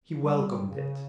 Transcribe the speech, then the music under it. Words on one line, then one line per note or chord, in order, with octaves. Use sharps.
He welcomed it.
G3
C#3